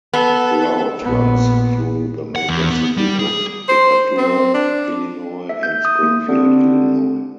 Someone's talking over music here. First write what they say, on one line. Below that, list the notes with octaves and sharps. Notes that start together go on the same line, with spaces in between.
The route runs through the major cities of Decatur, Illinois and Springfield, Illinois.
B3 A4
A#1 B3
F#5
E2
B3
G3
G#4
C5
C4
D4
E5
G6
D#6
A#3
D3 C4 G4